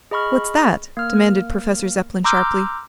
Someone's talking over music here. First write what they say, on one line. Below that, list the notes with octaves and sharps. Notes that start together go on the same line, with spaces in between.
"What's that?" demanded Professor Zepplin sharply.
G#4 D#5 B5 C#6 F6
A#3 F6
A#5 C6 D6 E6 F6 G6